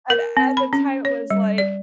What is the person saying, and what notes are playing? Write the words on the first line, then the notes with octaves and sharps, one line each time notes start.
and at the time, it was like
A#4
C4
B5
C#4
C#5
G3
D5